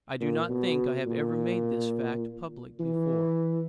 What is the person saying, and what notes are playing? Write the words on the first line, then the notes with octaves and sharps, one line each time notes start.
I do not think I have ever made this fact public before.
A#2
B2
A#2
E3